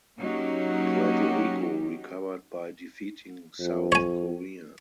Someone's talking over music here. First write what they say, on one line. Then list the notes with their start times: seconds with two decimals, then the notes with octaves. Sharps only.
Puerto Rico recovered by defeating South Korea.
0.17 F#3 A#3 C#4 D#4 F#4 G4
3.60 F2
3.92 C#5 G#5